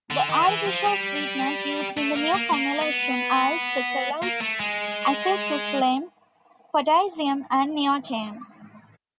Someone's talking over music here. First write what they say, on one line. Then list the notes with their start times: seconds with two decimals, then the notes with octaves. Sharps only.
The artificial sweeteners used in the new formulation are sucralose, acesulfame potassium, and neotame.
0.11 D3
0.30 D#3
0.48 E3
0.67 F3
0.86 G3
1.97 A3
2.17 A#3
2.35 A#3
2.53 A#3
2.82 B3
4.23 A#3
4.41 A3
4.60 G#3